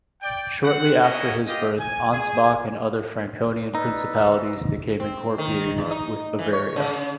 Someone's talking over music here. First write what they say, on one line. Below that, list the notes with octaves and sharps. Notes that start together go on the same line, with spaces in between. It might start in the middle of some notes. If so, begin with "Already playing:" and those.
Shortly after his birth Ansbach and other Franconian principalities became incorporated with Bavaria.
D5 G5
C4 F#5
A#3 C#4 E4 F#4 D#5
F4 G4 D#5
G#5
G#4 G#5
D#4 B4 D5 E6
C4
D#3
E2
D#4
E3
C#5
C#3